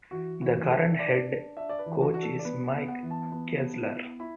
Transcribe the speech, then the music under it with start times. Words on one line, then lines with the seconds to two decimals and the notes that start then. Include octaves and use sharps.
The current head coach is Mike Kesler.
0.11 E3 F#4
0.41 E3 F#4
0.69 D4 A4
0.93 E5
0.99 D4 D5
1.28 D4
1.57 D4 E5
1.69 D5
1.79 B4
1.86 E3
2.02 F#4
2.14 D4 F#4
2.23 A4
2.39 D5
2.45 B3 B4
2.74 B3
2.88 F#5
3.03 E3
3.11 A5
3.32 B3
3.61 B3
3.90 E4
4.19 E4 B5